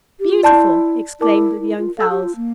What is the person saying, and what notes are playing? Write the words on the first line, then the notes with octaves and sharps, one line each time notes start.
"Beautiful!" exclaimed the young fowls.
G4
F4
E4 D5 A5 C6 G6
E4 A#4 D5 A5 D6
E4
F4
A4 F5 A5 E6 G6
G4
F4
A#3